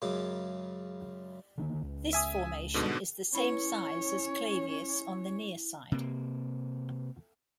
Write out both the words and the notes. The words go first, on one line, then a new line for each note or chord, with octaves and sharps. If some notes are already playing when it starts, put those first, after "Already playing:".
This formation is the same size as Clavius on the near side.
F#2 C#3 G#3 D6
D3 D#3 A#3
C#2
E5 G#5 D#6
G#2 B2 D3
C#4 E4 B4 C#5 B5
C3 A#3